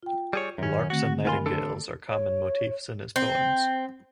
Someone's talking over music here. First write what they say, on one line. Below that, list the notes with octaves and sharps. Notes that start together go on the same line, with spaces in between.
Larks and nightingales are common motifs in his poems.
F4 G5
G3 G#4 C#5
F#2 D#3 C#4
D3 A3 C4 F#4
G#2 F4 A#4 G#5 B5 C6
D3 D4 A4
C#5
C4